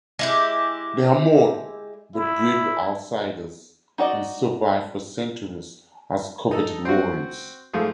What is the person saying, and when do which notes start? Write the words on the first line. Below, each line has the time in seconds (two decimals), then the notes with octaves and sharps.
They are mortal, but breed with outsiders and survive for centuries as coveted warriors.
0.19 G#3 E4 G4
2.14 E4
3.98 D#4 F#4 D5 D#5
6.51 D#4 A4
6.85 C4 F#4
7.73 G#2 F3 A3 G#4